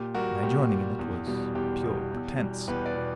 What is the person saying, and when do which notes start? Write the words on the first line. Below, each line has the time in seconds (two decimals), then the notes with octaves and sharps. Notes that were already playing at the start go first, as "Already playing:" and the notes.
My joining in it was pure pretence.
Already playing: A#2 G4
0.14 G3 F#4 A#4
0.42 A#2 G4
0.71 G3
0.99 E2
1.26 B2 G3
1.55 E2 G4
1.83 B2 G3
2.12 E2
2.39 B2 G3
2.68 E2 G4 B4
2.86 B4 D5
2.95 B2